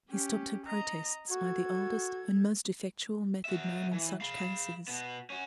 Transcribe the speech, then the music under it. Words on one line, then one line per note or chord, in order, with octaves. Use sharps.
He stopped her protests by the oldest and most effectual method known in such cases.
C#4 G4
D#5 A#5
F#4 A4 G#6
F#4 E5
E3
F5 B5
B2 B3
C#4 F#4